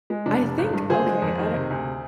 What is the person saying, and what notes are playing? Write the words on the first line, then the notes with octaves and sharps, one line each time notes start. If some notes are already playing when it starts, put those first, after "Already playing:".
I think okay, I don't
G#3
F1 D4
F1
G#1
G2
D3 G#4 C5
G#3
F2
D#3
C3
D2